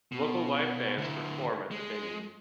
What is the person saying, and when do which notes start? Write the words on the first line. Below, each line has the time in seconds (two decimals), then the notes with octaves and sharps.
Local live bands perform at the venue.
0.12 B2
0.98 D3 E4
1.71 G#3